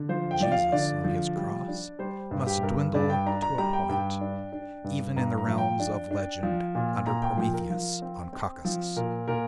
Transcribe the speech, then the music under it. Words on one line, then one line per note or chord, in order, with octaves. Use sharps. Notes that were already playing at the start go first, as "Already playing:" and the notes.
Jesus on his cross must dwindle to a point, even in the realms of legend under Prometheus on Caucasus.
Already playing: D3
F3 C5
G5
F3 D5
F5
D3 D5
F3
G3
D4
G3 C5
G2 C5
G4
G2 A#4
G2 D5
G5
D4 A#5
A#5
G3 A#5
G5
G2 G5
D4
D4
G2
G2 A#5
A#5
F3
G5
D4
D4
F3
A#2
A#2 A#5
G5
F3 G5
A#4
F3
C4
C4
F3
A#2 A#4
A#2 A#4